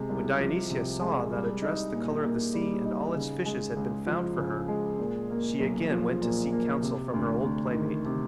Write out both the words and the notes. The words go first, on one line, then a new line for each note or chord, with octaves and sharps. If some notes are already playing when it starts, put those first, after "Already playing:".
When Dionysia saw that a dress the colour of the sea and all its fishes had been found for her she again went to seek counsel from her old playmate.
Already playing: C3 G#3
C2
F3
C3
G#3
G3
D#4
A#2
A#3
G3
D#4
C#3
G#3
C#2
F3
C#3
G#3
A#2
A#3
B1
F3
A#2
A#3
C3
D2
D2
D#3
C3